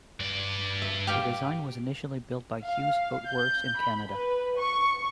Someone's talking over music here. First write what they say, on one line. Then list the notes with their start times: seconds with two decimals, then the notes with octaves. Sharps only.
The design was initially built by Hughes Boat Works in Canada.
0.20 G2 D5
0.82 E5
1.07 G4 F5 G5
2.65 F5
3.27 G6
3.77 B5
4.10 B4
4.59 C#6